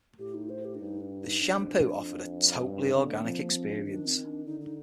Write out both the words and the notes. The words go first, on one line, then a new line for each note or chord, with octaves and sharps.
The shampoo offered "a totally organic experience".
A2 G4
D#4
C5
G4
D4
G2 D#4
D4
D#4
F2 D4
G2
D4
D3 C4
A#3
F3 C4
A#3
C4
D4
D#3 D4
C4
D4
D3 D#4
D#4